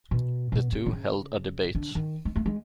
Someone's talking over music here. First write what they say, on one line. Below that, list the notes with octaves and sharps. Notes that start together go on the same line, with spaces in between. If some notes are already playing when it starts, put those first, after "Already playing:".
The two held a debate.
B2
B2
C3
D3
C#3
D3
D#3
G#3
A3
G#3